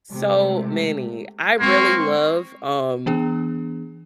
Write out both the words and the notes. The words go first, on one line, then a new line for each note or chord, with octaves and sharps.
So many. I really love, um,
C3 G#3 A3
G#3 A#3 C4 C6 C#6
E3 B3 D4 G#4